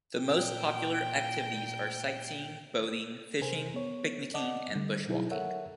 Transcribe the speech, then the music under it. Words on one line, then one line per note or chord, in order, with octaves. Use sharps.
The most popular activities are sightseeing, boating, fishing, picnicking and bushwalking.
A#2 G5
C3 A#4 C5 G#5
B3 C#5
D5 D#5 F#5 A5 D6
D3 G3
B2 F#3 D#4 E4 G#4
A4 A#4 C#5 E5 F#5